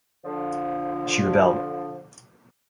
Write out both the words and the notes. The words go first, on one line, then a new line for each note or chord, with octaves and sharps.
She rebelled.
D3 F3